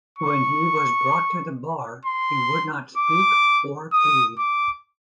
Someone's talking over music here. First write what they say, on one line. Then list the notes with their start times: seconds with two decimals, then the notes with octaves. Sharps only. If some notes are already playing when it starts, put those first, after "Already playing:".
When he was brought to the bar, he would not speak or plead.
0.19 C#6
2.05 C6
2.98 D6
3.92 D#6
4.38 D6